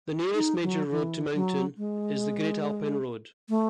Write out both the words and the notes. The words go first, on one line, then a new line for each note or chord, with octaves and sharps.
The nearest major road to mountain is the Great Alpine Road.
D#4
F#3
E3
F#3
G#3
A3